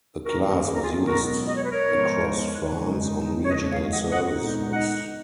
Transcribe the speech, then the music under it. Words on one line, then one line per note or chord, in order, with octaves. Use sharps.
The class was used across France on regional services.
G#2 D#3 A#3 D#4 F#4 A#4
G#4
A#4
F4 G#4
C#2 B2 F#3 B3 F#4 A#4
D#5
C#5
B4
A#4 C#5
G#2 F3 G#3 B3 D#4
C#3 G#3 D#4
C#5
F2 C#3 F3 G#3 B4 D#5
C#5 F5
D#5 F#5
D#5 F#5
A#2 G#3 B3 D#4
D#5 F#5